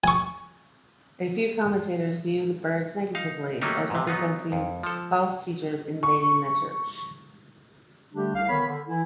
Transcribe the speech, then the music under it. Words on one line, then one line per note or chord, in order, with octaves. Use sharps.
A few commentators view the birds negatively, as representing false teachers invading the church.
G#5 C#6
D#4 F5
F#3 A3 A#3 C#4 D#4 G4
G#2 C3
F#3 B3 D#4 F4
F2
F3 A4
C#6
D3 G3 A3 D4 G4
C2 F5
D3 D#3 B3 C#5 B5
D3
E3 E4